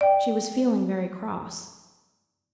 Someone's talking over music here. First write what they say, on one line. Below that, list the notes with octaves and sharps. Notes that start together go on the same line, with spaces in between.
She was feeling very cross.
D5 G5